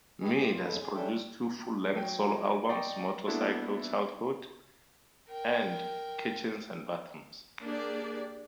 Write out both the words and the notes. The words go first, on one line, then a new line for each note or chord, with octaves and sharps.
Meade has produced two full-length solo albums: "Motorcycle Childhood" and "Kitchens and Bathrooms".
D#3 G4 G#4 B4 D#5 G#5
E3 G4 G#4
F#2 F4
E2 G2 C#3 G#3 A4 B4
G#4
G3 C#4 D4 A4 E5 G5
F#3 G5
D5 D#5 G5 A#5 C#6
A#3 B3 D4 E4 F#4 A4
A#4 G5
A#3 D4 G4 G#4 D5